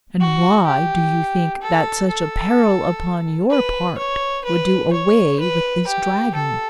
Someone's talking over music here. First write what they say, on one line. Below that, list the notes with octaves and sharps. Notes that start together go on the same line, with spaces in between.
"And why do you think that such a peril upon your part would do away with this Dragon?"
F#4
G4
A4
A4
B4
C#5
B4
C#5
B4
G4
A4